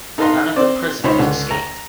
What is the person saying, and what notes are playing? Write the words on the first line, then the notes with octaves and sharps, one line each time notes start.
None of the prisoners escaped.
D#4 A4 B4 F5 A#5 C6
C4 C5 D5
C#2 D#4 C5 C#5 B5
C#2 D3
A#5